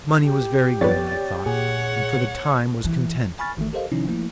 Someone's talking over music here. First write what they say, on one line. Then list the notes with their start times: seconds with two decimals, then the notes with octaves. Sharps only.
Money was very good, I thought, and for the time was content.
0.20 G4
0.81 F2 B3 C#5 D5 A6
1.46 A#2 G#4 C#5 F#5
2.84 E3
3.39 G#5 B5 C#6 F6 A6
3.57 G#1 D#3 E3 A3
3.73 G4 A4 A#4 C5 D#5 F5
3.92 C3 D#3 F3 C#4 D#4 E4
4.06 F3 A3 A#3 E4